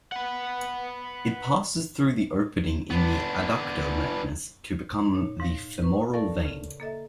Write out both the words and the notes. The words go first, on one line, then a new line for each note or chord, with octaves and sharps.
It passes through the opening in the adductor magnus to become the femoral vein.
B4 F#5
B3 D4
A#2 D#4 C#5
G#2 F5 A#6
B4 C#6
A4 A#4 D5 F5 A5 C#6
C#3
A#3 A4 D#5 E5